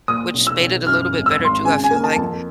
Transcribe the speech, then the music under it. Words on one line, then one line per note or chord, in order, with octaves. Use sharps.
which made it a little bit better too, I feel like,
A#2 D#6
B1
E6
B1
F#2 F6
G#1
E6
G#1
C6
C#3 G#5
G#5
A#3
A5
F2